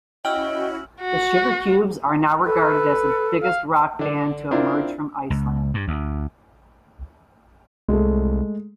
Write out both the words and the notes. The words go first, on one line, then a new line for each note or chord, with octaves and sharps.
The Sugarcubes are now regarded as the biggest rock band to emerge from Iceland.
C#4 E4 F#4 D#5 G5 E6 F6 F#7
F#4
A4 B4
F5
D3 D4
C4 D4 E4 F4 A#4
C#2
G2
D2
C2 G#3 A3